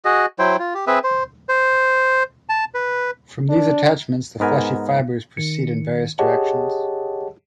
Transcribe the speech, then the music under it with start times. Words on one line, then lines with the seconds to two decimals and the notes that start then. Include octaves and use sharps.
From these attachments the fleshy fibers proceed in various directions.
0.05 F#4 G#4 D#5
0.39 F#3 E4 C5 G5
0.59 F4
0.74 G4
0.87 C4 G#4 B4 E5
1.04 C5
1.49 C5
2.49 A5
2.75 B4
3.49 D4
4.40 G#2 B3 A#4 G#5
5.37 D#3 C#7
6.19 G4 G#4 C#5 D#5 F#5 A5